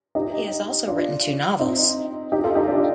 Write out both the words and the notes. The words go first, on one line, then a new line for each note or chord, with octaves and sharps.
He has also written two novels.
D#4 G4
D4 F4
C4 D#4
D#4 G4
F4 A4
D#4 G4
D4 F4